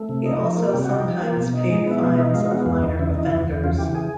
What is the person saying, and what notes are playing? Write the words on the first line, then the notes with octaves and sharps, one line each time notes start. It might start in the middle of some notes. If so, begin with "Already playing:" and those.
He also sometimes paid fines of minor offenders.
Already playing: A3
C3
D#4
F3
A#3
C3 G4
F#4
D#4 G4
F3
A#3
B2
D#4
G#3
B3 E4
B2 F4
D#4 E4
G#3 F4
F4
B3 F#4
E2 F4
E2 D#4
C#3 E4
E3 D#4
F4
E2 E4
E2
C#3 F4
E3 G4
G#4